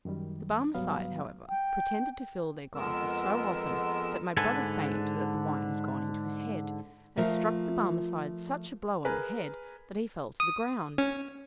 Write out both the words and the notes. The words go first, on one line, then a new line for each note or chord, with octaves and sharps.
The Barmecide, however, pretended to fill their glasses so often, that my brother feigned that the wine had gone into his head, and struck the Barmecide such a blow on the head, that he fell to the ground.
F#2 D#3 G3
C2 G#2 F#3 G3 B3 F5
G5
F2 G#3 B3 A#4 E6
G#2 D3 A4 B4 G#5
F3 A3 F4 A#4 E5
G#4 A#4 B4 G#5 A#5
D#6
C#4